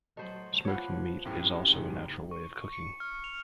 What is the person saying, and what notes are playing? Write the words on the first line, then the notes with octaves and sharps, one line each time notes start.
Smoking meat is also a natural way of cooking.
F#3 A3 C5 D#5 A5 C6
F3 B3 C#5 D6 F#6
F#2 A2 C4 G4 G5
F#1 G#2
C#6
C#7
F6
F7